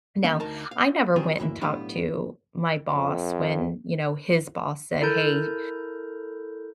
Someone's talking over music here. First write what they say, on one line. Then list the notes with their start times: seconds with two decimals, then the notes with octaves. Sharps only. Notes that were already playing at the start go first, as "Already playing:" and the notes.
Now, I never went and talked to my boss when, you know, his boss said, "Hey,
0.24 E3 G3 A#3 B3 C#4
0.40 D2 D#4 A#4 D#5 A5 A#5
0.71 F5
1.16 B1 D#3 F#3 C4 F4 G#4
1.38 D2 G2 E3 A#3 E4 E5
1.61 B1 A2 B3 D4 G4 F5
2.95 F2
5.02 E4 A4 A#4 A#5 G6